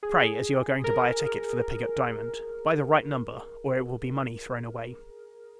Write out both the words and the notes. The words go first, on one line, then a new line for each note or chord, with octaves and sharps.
Pray, as you are going to buy a ticket for the Pigot diamond--buy the right number, or it will be money thrown away.
G#4
A#4